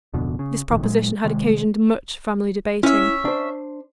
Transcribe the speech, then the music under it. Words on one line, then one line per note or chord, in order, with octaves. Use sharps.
This proposition had occasioned much family debating.
D1 F2 B2 D3
C#3
G#1 F2 A#2 D#3
A#2 F#3 G#3
C3 D#3 G#3
C#4 E4 E5
D4 C5